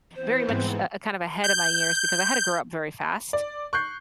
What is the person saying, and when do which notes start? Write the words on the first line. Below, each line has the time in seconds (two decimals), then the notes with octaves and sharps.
very much, uh, kind of ahead of my years, because I had to grow up very fast.
0.16 E3 B3 C4 C5
0.49 G#2
1.44 G6
3.33 D5
3.73 C#6 F#6 G6 C7